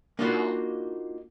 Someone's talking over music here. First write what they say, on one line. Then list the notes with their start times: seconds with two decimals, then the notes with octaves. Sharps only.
you know?
0.19 A#3 D4 D#4 F4 F#4 B4